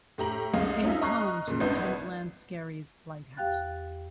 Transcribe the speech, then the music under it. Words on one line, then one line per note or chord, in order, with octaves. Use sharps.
It is home to the Pentland Skerries Lighthouse.
A2 G4 A#5 F#7
C2 G#3 D#5 F5
C#4 D#4 F4 E5
D#5 A#5 C#6 F6 F#6 C7
A#2 C#3
G#1 B3 D4 E4 D#5 G6
E2 G4 F5 G5 F#6 A6